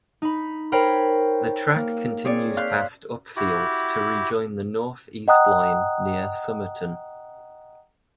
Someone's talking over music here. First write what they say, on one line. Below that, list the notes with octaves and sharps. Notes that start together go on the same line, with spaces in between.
The track continues past Upfield to rejoin the North East line near Somerton.
D#4 B5
A#4 C5 C#5 G5 B5
A#3
C4 G#4 C#5 D5
F5 C6 F#6 G6 B6
E4 F#4 G4
D#5 F#5 G5 A#5 D#6 F#6